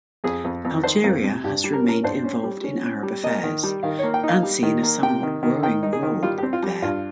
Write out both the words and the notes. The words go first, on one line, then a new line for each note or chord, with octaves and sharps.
Algeria has remained involved in Arab affairs, and seen a somewhat growing role there.
F2 G#4
F2
F2
D#3 C5
F2 A#4
C3
G2 G4
G3
A#4
C#4 A#4
G2 C5
C#4
G3
C#4
C#4
G3
A#3 D#5
D#3
G3
D#3 F5
C#5
A#3
G5
D#4
F5
G3
D#3
A#3
C3 G5
D#3
D#3
D#3 G5
D#4
G#4
D#3
G3 F4
G4
C4
F4
G3
G2 F4